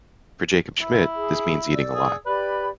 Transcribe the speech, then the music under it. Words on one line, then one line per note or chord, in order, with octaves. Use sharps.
For Jacob Schmidt, this means eating a lot.
E4
G#4
D5 E6
G#4
G4 B4 D5 B5